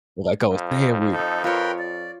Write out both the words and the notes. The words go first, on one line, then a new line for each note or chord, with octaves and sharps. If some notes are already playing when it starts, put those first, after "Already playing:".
Like I was saying with
F2
D#4 A4
F4 A#4 B4 C#5 G5
D5